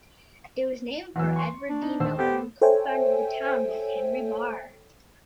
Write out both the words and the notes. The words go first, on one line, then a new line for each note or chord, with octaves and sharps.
It was named for Edward D. Miller, who co-founded the town with Henry Barr.
E2 E3 F#3 E6
C6 C#6
D4
D#4
D#2 C5 E6
B3 G4 A4 C5
A4 C5 C#5 E5 G5 G#5